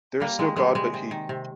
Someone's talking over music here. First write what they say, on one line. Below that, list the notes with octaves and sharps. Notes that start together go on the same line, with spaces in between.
There is no God but He.
G3 A#3
D#3 G#3
G3 G#3
C3 G#3
C3
D#3
C3